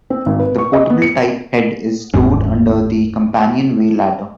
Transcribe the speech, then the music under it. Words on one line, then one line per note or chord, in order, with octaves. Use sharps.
The portable type head is stowed under the companionway ladder.
C4
G#1
B4
C#6
D#5
B3
C#7
F1 D#2 G#2 C#4